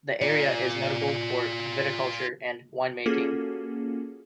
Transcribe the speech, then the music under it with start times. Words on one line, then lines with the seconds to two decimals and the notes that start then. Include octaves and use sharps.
The area is notable for viticulture and winemaking.
0.22 F4 D5
3.06 A#3 C#4 F4 F#4 G#4 A4